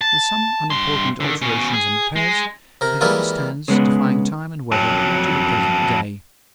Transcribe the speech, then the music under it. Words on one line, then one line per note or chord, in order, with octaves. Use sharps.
With some unimportant alterations and repairs, the house stands, defying time and weather, to the present day.
A5
G2 C6
D3 D#3
B2 C#4
G#4
G#3
C3 A#4
E3 G3 G#3 A#3 E4 F4
C#3 G#3 B3
F2 F#3